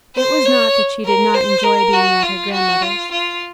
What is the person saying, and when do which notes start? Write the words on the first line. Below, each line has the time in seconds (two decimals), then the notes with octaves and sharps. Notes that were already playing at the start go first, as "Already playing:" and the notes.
It was not that she did not enjoy being at her grandmother's.
0.16 C5
0.45 C#5
1.05 A#4
1.34 C5
1.63 A#4
1.93 F#4
2.23 F4
2.53 F#4
2.82 F4
3.12 F4